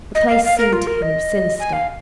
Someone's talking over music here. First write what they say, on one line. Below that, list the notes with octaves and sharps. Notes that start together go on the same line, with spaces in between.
The place seemed to him sinister.
D#5
F5
F5
A#4
F4
A#4
D#5
G#5
F5